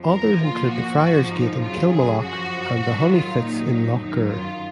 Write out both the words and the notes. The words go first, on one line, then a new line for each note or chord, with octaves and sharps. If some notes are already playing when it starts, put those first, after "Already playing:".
Others include the Friar's Gate in Kilmallock and the Honey Fitz in Lough Gur.
Already playing: F2 F3
A#4
A#2 F3 F4
F#4
G#2 F3 F#4
D#4
F#2 C#3 F#3 F4
G#4
F#2 F3 F#4
G#2 D#3 F#3 F#4
F4
A#2 F#3 D#4
D#4
F#2 D#3 F#3 D#4
F4